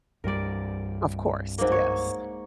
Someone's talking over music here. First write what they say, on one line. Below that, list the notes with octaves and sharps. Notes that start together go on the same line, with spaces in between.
Of course, yes.
C2 G2 G3 A#4 D5
G#2 A#3
C#5